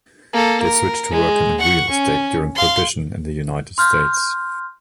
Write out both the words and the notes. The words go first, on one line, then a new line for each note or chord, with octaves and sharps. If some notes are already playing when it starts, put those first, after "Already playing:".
They switch to working in real estate during prohibition in the United States.
A#3 A4
A#4
G#3
F#5 C#6
C#4
F5 C6
C6 F6 G6